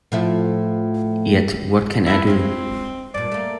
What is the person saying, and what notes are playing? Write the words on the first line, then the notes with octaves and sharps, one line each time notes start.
Yet what can I do?
A2 F3 E5
G2 E4 A4 B4
G#3 C4 F4
G2 A#2 D5
A3 A#3